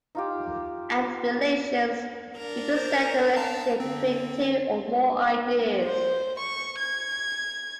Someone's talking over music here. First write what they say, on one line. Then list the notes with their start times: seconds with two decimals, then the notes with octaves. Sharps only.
And relations represent the relationship between two or more ideas.
0.15 D#4 F4 G4
2.37 D4 A#4
2.76 C5
3.36 F5 A5 A#5
3.80 D3 C4
5.85 C5
6.39 C#6
6.80 G#6